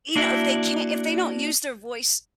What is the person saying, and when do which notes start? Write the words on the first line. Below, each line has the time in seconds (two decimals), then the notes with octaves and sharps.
you know, if they can't if they don't use their voice
0.16 A#3 D4 E4 F#4 E5